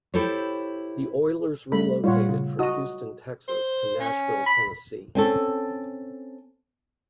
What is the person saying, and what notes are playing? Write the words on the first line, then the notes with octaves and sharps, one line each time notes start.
The Oilers relocated from Houston, Texas to Nashville, Tennessee.
E4 G4 A4 C5 C#5
G3 A3 A4 B5
A#2 G3 F4 C#5 F#5
C#3
F#4 D#5 D#6 D#7
C5
C#4
B5
C4 C#4 A4